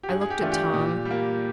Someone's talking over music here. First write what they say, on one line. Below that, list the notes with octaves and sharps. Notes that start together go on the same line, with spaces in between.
I looked at Tom.
G4
G2 G#4
G#4
G4
E3 A3 D4 F4
G4
A#2
G3
A#3